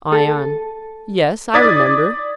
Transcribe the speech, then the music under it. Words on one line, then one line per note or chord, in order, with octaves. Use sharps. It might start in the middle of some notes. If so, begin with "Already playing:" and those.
ION: Yes, I remember.
A4
D5 D6 D#6 G#6 A6 B6